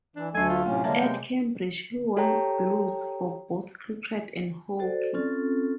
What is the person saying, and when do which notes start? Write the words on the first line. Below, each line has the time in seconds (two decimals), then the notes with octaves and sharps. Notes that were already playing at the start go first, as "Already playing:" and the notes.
At Cambridge he won Blues for both cricket and hockey.
0.16 E3 D4
0.35 D2 F#3 A3 D4 A4 G#5
0.50 F4
0.66 A2 C3 A3 C#4
0.84 D3 G3 G#3 A#3 C#5 E5 A5
0.98 C3 G#3 G5
2.17 G4 A4 C#5 G5 A#5
4.79 F#4 A4 C5 D5
5.14 C4 C#4 F4 A4